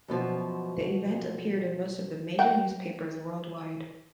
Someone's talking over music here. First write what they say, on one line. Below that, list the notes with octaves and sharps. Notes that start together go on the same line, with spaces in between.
The event appeared in most of the major newspapers worldwide.
F#2 B2 F3
F#5 G5